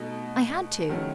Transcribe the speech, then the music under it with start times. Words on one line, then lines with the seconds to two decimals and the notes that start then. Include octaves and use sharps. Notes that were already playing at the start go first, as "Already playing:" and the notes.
I had to.
Already playing: B2 A3 D#4
0.89 D#3 F#3 A3 C#4 E4